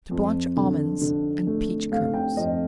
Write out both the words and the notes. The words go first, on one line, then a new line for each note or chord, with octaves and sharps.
To Blanch Almonds and Peach Kernels.
F2
D3
D3
A3
A3 F5
G5
F2 D#5